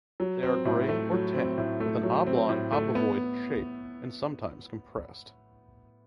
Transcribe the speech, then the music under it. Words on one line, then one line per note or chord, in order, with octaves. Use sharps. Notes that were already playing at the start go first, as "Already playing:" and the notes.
They are gray or tan with an oblong obovoid shape and sometimes compressed.
F#3
C4
A2
A3
F#3
C4
A2
A3
F#3
C4
A2
A3
B3